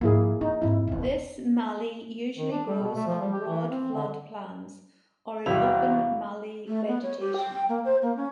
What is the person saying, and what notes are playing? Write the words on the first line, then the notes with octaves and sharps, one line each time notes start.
This mallee usually grows on broad floodplains or in open mallee vegetation.
G#2 F3 A#3 E4 G#4
D4 D#4
F2 G#2 E4
E1 E3
D#3
D4
G3
B2
A3
F3
G3
G4
E3
C4
D3
E2 C3 G3 E4 F#4 C5 F5
A3
B3
C#5
G4
G5
A#3
C5
A#3
C#4